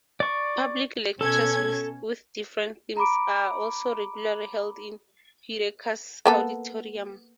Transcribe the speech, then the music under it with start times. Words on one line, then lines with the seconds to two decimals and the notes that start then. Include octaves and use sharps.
Public lectures with different themes are also regularly held in Heureka's auditorium.
0.20 D5 C#6
1.21 B2 C#4 A4 G#6
2.97 A#5 B5 D6 D7
6.26 A#3 B3 A4